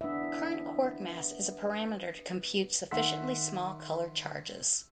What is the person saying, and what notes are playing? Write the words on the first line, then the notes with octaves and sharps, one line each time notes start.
The current quark mass is a parameter to compute sufficiently small color charges.
E3 B3 D4 E5
D#3 E5 F#5 C6 E6 B6